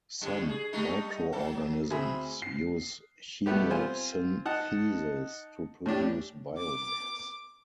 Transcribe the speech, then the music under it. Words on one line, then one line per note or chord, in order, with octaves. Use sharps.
Some microorganisms use chemosynthesis to produce biomass.
A2 D3 G3
G#4
G3 A3 D#4
F#3 A4
D2 C4 G#4 E5 A#5 B5
C7
B2 G3 A3 B3 G4
C4 F4 C5 G#5
D#4 F#5 A5
A2 C#4 D4 G4
D6